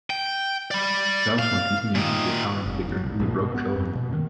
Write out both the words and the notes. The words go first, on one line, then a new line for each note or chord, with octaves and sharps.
Bylsma continues to be a towering figure in the baroque cello movement.
G5
D5 B5
F5
A#2 D#3
F1
F#2
C2
A#1
B2
B3
F2
B2
D#3